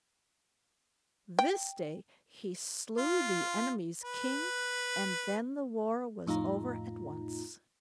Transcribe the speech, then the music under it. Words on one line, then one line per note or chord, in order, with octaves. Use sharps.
This day he slew the enemy's king, and then the war was over at once.
G5
F4
B4
F2 A2 D#4 F4 A#5